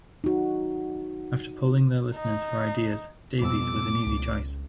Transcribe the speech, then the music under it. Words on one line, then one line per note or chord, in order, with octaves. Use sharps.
After polling their listeners for ideas, Davis was an easy choice.
D#4 F#4
D#4
F2 B2 G3 B3 D6 E6
C#2